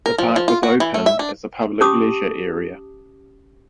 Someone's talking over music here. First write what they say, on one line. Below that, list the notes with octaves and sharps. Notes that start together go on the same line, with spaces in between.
The park was opened as a public leisure area.
A#4
F3
F3
F4
F#4
E3
A3
E5
D4
C#4 G4 A5 D6 D#6